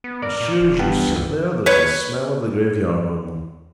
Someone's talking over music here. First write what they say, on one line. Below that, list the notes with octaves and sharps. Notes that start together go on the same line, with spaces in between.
As sure as you sit there, there's the smell of the graveyard on them.
B3
A#4 D5
A#2
E1
G2 B3
C#2
B4 C#5